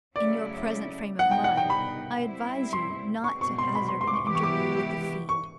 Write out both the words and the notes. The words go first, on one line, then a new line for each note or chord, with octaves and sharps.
In your present frame of mind I advise you not to hazard an interview with the fiend.
C#3 F#3 A3 C#4 E4 D5
G3 B3 D#4 F#5
G5
F#5
G5
B5
G3 C4 E4
C6
B2 G#3 C4 C#6
C#6
C6
B5
C6
C6
D6
C#6
E3 G#3 B3 E4 G4 D6
C#6
D6
C#6